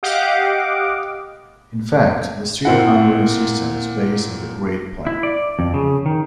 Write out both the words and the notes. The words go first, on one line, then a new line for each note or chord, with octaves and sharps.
In fact, the street numbering system is based on the Grid plan.
G4 D#5 F5 F#5 D6
A#2 C4 E4 F#5
E4
D5
F2
C#3
D#3